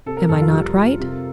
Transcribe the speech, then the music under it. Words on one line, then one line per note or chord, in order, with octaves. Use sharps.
Am I not right?
C3 A4
A#4
F2 A4
F4
G3
F4
C3